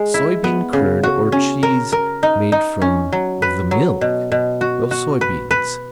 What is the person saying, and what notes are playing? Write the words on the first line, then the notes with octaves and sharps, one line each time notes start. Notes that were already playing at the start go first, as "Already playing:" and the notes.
Soybean curd or cheese made from the "milk" of soybeans.
Already playing: G#3
E4
B3
C#3
F#4
C#4
A#4
A#4
D#4
D#4
C#4
F#3
B4
F#3
B2
B2
F#4
F#4
B4
B4